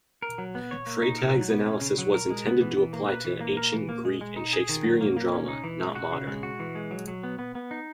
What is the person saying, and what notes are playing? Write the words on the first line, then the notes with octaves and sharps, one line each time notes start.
Freytag's analysis was intended to apply to ancient Greek and Shakespearean drama, not modern.
A#4
F#3
B3
C#5
A#3
D#4
A#4
F#3
B3
C#4
C#3
F#3
A#4
G#3
B3
E3
E3
A#3
B4
E3
A#3
A#4
E3
A#3
G#3
G#3
D#4
G#4
D#3
F#3
A#3
A#3
C#4
D#4
E3
G#3
F#4
C#3
G#3
F#4
E3
G#3
F#3
F#3
B3
B3
B3
D#4